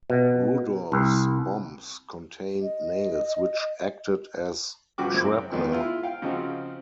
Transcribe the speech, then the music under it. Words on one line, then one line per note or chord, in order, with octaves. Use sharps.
Rudolph's bombs contained nails which acted as shrapnel.
B2
C2
D#5
G2 C#3 F3 F#4 G5 D6
F#2 C4
D#3 G#3 B3 D5
E4 F4
F5 G5
C#3 F3 C4 D#4 F4 F#4